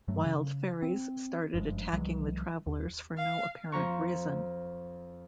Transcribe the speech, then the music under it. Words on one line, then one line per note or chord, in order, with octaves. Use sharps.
Wild fairies started attacking the travelers for no apparent reason.
G2 F#3 A3
C#3
C4
F#1 G2 F3 G#3
C2 E3 F#3 G#3
D#2
F5
F2 F3 A#5 C#6